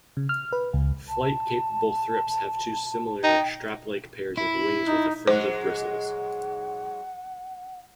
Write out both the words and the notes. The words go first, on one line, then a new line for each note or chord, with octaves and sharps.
Flight-capable thrips have two similar, strap-like pairs of wings with a fringe of bristles.
C#3
F6
B4
C#2
A5
D#4 G5
E4
D#4
G#2 F#3 G#3 C5 F#5